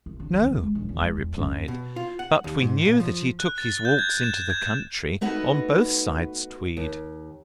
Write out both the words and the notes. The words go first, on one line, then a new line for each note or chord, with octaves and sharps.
"No," I replied; "but we knew that he took his walks into the country on both sides Tweed."
C2
D3
D#3
C2
G#3
E1
E2
G#3
E2
F#2
B2
F4
F#5
D#2
G#2
A#2
F3
F#6
A6
G6
G#6
E7
G#6
A3 B3 D#4 F#4 B4
D#2